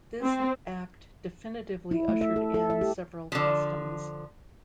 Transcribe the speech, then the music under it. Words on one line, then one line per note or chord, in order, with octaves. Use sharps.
This act definitively ushered in several customs.
C4
E4
A3
E5
A4
A4
E5
G4
D3 F3